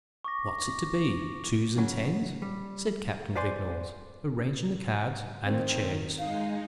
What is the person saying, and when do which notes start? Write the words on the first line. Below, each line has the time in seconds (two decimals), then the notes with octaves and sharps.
"What's it to be:--twos and tens?" said Captain Vignolles, arranging the cards and the chairs.
0.25 C#6 D6 A#6
1.78 C#3 F#3
2.42 G3
3.36 B4 C5 D5 G#5 C6
5.44 D#3 C4
6.19 G#3 D#4 F5